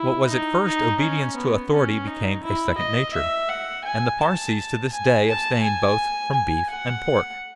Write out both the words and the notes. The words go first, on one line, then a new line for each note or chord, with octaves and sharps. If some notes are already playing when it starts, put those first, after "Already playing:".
What was at first obedience to authority became a second nature, and the Parsees to this day abstain both from beef and pork.
Already playing: E4
D#4
D#4
C#4
B3
C#4
D#4
E4
D#5
E5
F#5
G#5
A5
G#5
A5
G#5
G#5
F#5